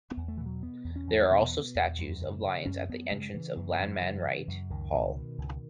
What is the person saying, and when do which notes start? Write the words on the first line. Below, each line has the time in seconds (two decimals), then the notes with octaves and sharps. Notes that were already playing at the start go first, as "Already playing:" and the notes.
There are also statues of lions at the entrance to Lanman-Wright Hall.
0.11 B3
0.17 E2
0.28 A3
0.37 B2 E3
0.46 F#3
0.63 B2 B3
0.84 E2
0.96 C#4
1.07 E2
1.18 A3
1.30 B2 B3
1.52 B2
1.75 E2
1.98 F#2
2.21 C#3
2.43 C#3
2.66 F#2 C#4
2.89 F#2 B3
3.12 C#3 G#3
3.34 C#3 E3
3.57 F#2
3.79 F#2
4.02 C#3
4.24 C#3
4.48 F#2
4.70 C#2 D#3
4.92 B2
5.15 B2
5.38 C#2